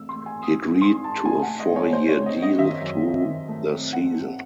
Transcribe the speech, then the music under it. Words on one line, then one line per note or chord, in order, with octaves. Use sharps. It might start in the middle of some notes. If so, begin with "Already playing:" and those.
He agreed to a four-year deal through the season.
Already playing: E3 A3 C4 E6
C6
A3
G#5
C4 D#6
G#2
C4 C6
G#2 A5
A3 G#5
F#5
A3
D#5
G#2
C#5
A3 C5
C#5
C4
D#5
C4
D#5
D#3 E5
F#2
C4
D#3
A3
C4
C4 F#5
C4